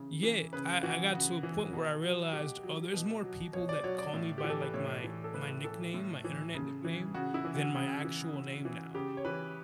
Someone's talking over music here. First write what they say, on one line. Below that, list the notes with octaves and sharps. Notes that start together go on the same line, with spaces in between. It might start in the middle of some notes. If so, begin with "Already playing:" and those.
Yeah. I I got to a point where I realized, oh, there's more people that call me by, like, my my nickname, my Internet nickname than my actual name now.
Already playing: C#3 E3
E3
C#3 B4
E3 F#4
C#3 F#4
E3
B2
F#3
B2 G4
F#3
B2
F#3
B2 C#5
D5
F#3 C#5
D5
A2
G4
E3
A4
B4
A2 C#5
E3
A4
A2 B4
E3 A4
A2
E3
C#3
E3
C#3 F#4
E4
E3
F#4
C#3
E3
C#3
E3
C#3 G4
C#5
E3 B4